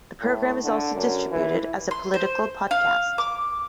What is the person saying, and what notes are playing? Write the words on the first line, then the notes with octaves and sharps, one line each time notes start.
The program is also distributed as a political podcast.
A2
D3
F#2
E3
C6
C5
F5
D6